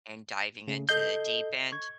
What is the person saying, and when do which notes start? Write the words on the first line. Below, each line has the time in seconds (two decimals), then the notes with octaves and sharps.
and diving into the deep end.
0.68 C#3 A3
0.89 A4 D#5 G6 C7
1.72 C#6 G#6